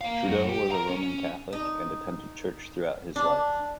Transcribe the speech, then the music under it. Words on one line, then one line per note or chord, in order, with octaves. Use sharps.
Trudeau was a Roman Catholic and attended church throughout his life.
A#3 F5
F#2 F#4
G4
A#4 A#5
C#4
D#4
D4